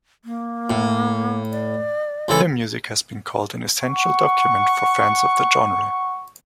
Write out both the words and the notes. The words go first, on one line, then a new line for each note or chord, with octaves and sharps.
Their music has been called an "essential document" for fans of the genre.
A#3
A2
D5
C#2 E3 A4
F#5 C#6